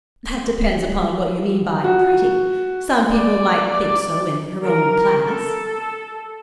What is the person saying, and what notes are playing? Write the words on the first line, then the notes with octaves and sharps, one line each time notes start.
"That depends upon what you mean by 'pretty.' Some people might think so, in her own class."
F#4
D5
A#4
A4